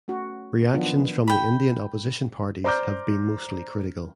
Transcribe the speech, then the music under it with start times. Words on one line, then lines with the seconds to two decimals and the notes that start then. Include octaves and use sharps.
Reactions from the Indian opposition parties have been mostly critical.
0.08 A3 C#4 F#4
0.74 D#3 F3 F#3 B3 D4 F4
1.28 G5 B5
2.64 C5 D5 A#5 D6 F6 G6